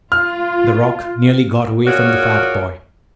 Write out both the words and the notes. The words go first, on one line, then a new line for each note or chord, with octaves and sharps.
The rock nearly got away from the fat boy.
F4 F6
F4 F#4 G#4 A#4 C#5 D5